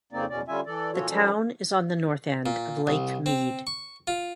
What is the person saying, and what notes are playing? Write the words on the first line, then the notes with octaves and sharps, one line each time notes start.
The town is on the north end of Lake Mead.
F2 C#3 A#3 C4 D#4 D5
E2 B2 C#4 D5
D3 G3 C#4 F4 E5 G#5
E3 A4 D5
A#2 E3 F4 F#4 A4 C#5
D#3 F3 G3 G#3 C#4 A4
A#2
C2
C4
C#6
F4